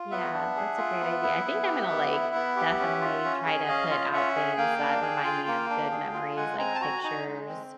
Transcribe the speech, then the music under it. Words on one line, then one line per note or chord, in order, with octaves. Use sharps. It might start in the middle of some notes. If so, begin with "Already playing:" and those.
Yeah. That's a great idea. I think I'm gonna, like, definitely, try to put out things that remind me of good memories, like pictures
Already playing: F4
B3 E5 F#5
D4
G#4
F4
B3
E4
B3
G4
B3
E4
B3
G4
C#4
F4
C#4
G#4
C#4 D#5 F5
F4
C#4 E5 F#5
G#4
A#3 F5 G5
D4
G#4
F4
A#3
D4
G#4
F4
G#3 F#5 G#5
C4 G#5 A#5
A5
F#4 G#5 A#5
D#4 G#5 A#5
G#3
C4